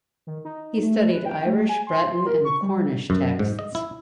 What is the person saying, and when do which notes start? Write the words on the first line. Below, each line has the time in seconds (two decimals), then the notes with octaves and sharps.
He studied Irish, Breton and Cornish texts.
0.27 D#3
0.45 D#4
0.82 A3
0.98 A3
1.11 B4
1.25 G5
1.46 A3
1.69 G#5
1.87 C6
2.26 A#4
2.45 C#6
2.62 G3
3.10 F#2
3.39 G#2
3.59 D#5
3.75 E4